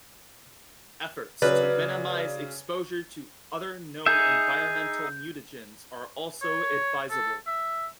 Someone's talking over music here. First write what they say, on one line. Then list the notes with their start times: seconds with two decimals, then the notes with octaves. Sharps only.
Efforts to minimize exposure to other known environmental mutagens are also advisable.
1.42 C#3 F#3 B4 D5
4.06 D#4 G#4 E5 G6
6.42 C#5
7.11 A4
7.47 E5